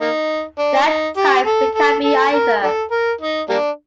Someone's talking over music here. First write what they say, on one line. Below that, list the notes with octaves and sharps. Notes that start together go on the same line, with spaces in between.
There are types that can be either.
A#3 D#4
D4
D#4
G4
A4
A4
A4
A#4
D4 A4
A#4
D#4
G3 A#3 D4